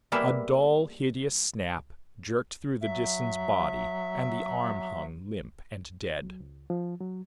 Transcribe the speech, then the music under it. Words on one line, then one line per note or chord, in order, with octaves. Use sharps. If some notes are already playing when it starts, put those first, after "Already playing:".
A dull, hideous snap jerked through the Disan's body and the arm hung limp and dead.
G3 A#3 B3 G#4 E5
F#3 E5
F#3
C#2
F3
F#3